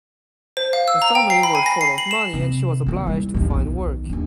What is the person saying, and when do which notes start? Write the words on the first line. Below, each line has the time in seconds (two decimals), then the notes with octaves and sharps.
The family were short of money and she was obliged to find work.
0.57 C5
0.73 F5
0.88 E6
1.02 A#5
1.15 G5
1.30 C7
1.43 B5
1.55 G#5
1.66 A#6
1.81 C7
1.98 F#7
2.11 E7
2.33 C3
2.86 D#3 C4
3.06 G3 E4
3.34 A#1 D#2
3.50 B1 D#3
4.09 D#2 D4